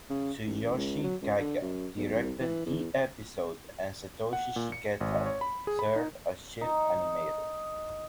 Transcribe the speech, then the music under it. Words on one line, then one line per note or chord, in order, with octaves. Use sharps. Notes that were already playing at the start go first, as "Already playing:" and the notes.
Tsuyoshi Kaga directed the episode and Satoshi Shigeta served as chief animator.
C#3
A1
C#2
F#3
C#2
D3
F#2
B1
C2
E3
E2
F#5
A#2
C#7
G#1
C#5
B5
G#4
B5
D#4
D#4